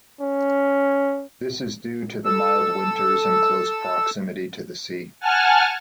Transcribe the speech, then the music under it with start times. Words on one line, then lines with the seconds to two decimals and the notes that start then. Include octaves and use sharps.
This is due to the mild winters and close proximity to the sea.
0.21 C#4
2.25 A4 E6
5.20 F#5 G#5 A5 F6